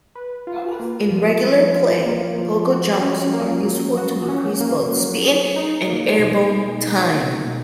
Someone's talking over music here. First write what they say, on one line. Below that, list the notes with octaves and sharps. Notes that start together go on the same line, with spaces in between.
In regular play, pogo jumps are useful to increase both speed and airborne time.
B4
F4
A#3
F3
B4
F4
A#3
F3
F#4
C#4
A#3
F#3
F#4
C#4
A#3
F#3
G#4
D#4
A#3
B2
G#4
D#4
A#3
B2